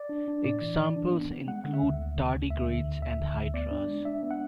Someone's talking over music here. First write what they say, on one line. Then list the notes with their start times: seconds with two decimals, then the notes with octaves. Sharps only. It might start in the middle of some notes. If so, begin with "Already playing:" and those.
Examples include Tardigrades and Hydras.
Already playing: D5
0.09 D4
0.28 D4
0.44 A2 D5
0.61 E3
0.79 E3
0.96 D4
1.13 B3
1.30 B3
1.47 G#3 F#5
1.64 D3 F#5
1.73 E5
1.82 D2
1.99 D2
2.16 D3
2.34 D2
2.50 D2 E5
2.68 D3
2.85 D2
3.02 D2 E5
3.20 D3
3.37 D2
3.54 B3 D5
3.71 D4
3.88 G#3
4.05 D4 E5
4.23 B3
4.31 F#5